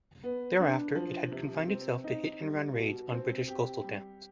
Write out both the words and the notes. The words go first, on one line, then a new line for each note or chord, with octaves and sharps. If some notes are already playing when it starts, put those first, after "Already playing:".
Thereafter it had confined itself to hit-and-run raids on British coastal towns.
B3
D4
F3
C3
C4
D#4
G3
B2
C4
G4
G3